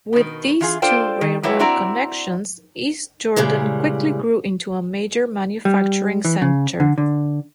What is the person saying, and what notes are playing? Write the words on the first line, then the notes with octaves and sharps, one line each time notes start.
With these two railroad connections, East Jordan quickly grew into a major manufacturing center.
B2 D#3
E3 F4 G#4
D4 F4 A4 C5 D5 G5
D#3
F#3 G3 E4 B4 C#5
C4 D4 E4 F#4 D5 A#5
A#2 C#3 E3 G3 G#3
G3
E3
C#3
D3
D3